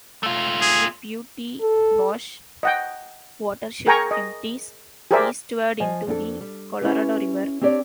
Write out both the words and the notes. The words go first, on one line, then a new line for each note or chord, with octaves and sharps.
The Piute Wash Watershed empties eastward into the Colorado River.
A3 F4
G#4
A4
D#5 F#5 G5
G#4 A#4 G5 G#5 A#5 C#6
D#5
G4 G#4 A#4 C5 D5 E5
F3 D#5 G#5
F2 D4 G4 A4
G3
C#4 E4 G4 B4
C4 D4 G4 C#5 D5